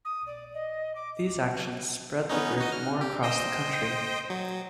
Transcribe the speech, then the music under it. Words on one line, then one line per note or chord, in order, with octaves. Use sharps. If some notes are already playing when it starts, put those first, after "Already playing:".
These actions spread the group more across the country.
D#6
D5
D#5
D6
B3 C#4 D#4
D#4 F#4 D#5
F6
G4
C5 D#5 G5
F#3